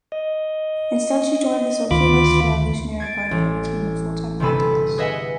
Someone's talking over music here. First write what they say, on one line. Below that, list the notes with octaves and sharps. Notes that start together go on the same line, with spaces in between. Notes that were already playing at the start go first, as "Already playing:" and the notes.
Instead she joined the Socialist-Revolutionary Party, and became a full-time activist.
D#5
D2 D#3 F4 B5 D6
G#6 A6 D7
A1
G1 C3 C4 A4 B5 D#7
G#4 B4 D#5 E5 F#5 G#5